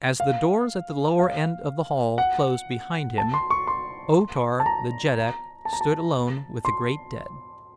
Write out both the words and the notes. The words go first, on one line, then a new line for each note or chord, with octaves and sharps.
As the doors at the lower end of the Hall closed behind him O-Tar the Jeddak stood alone with the great dead.
F5
F5
F#5
A5
C6
C#6
C6
A5
A#5
A5
A#5
A5
C6